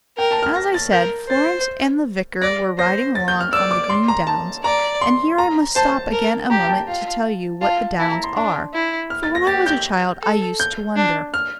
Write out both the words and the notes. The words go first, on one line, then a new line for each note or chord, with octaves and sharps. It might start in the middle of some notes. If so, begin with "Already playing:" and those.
As I said, Florence and the vicar were riding along on the green downs; and here I must stop again a moment to tell you what the downs are, for when I was a child I used to wonder.
A#4 G5
A5
F6
A#6
A6
A#4 G6
C5 A6
D5 A#6
C5 A#6
A6
G6
F6
D5 E6
D6
C6
A#5
A5
D5 A#5
C6
A#5
C5 A5
A#4
G4 A#5
G5
A5
F4
F4 A5
E4 A5
A#5
C6
D4
E4
F6
A6
A#6
G4 A6
G6
A4
G6
D4
F6